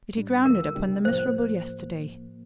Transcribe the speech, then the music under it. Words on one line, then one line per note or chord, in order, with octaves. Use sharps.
Did he ground it upon the miserable yesterday?
A2 G3 D4
E2 D3 F3 A3 A#4
D2 C3 G3 D4 G4
A2 F3 A#3 C5